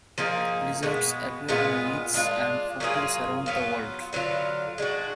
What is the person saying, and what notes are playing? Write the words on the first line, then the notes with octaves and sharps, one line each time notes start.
Lizards appear in myths and folktales around the world.
F3 A#3 D#4 G#4
B2 G#3 B3
A#2 G#3 B3 F4
G#3 D4 F4
F#3 A#3 F4 G#4
F#3 B3 F4
D3 F#3 B3 F4
G#3 D4 F#4